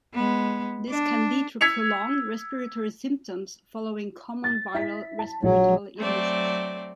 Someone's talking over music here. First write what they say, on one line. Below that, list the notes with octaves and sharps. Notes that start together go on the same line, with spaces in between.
This can lead to prolonged respiratory symptoms following common viral respiratory illnesses.
G#3 B3
D4
E6 G#6 B6 C#7 F7
A6
E4 B6
A5
A#1 F#3
F#3 A3 C4 D5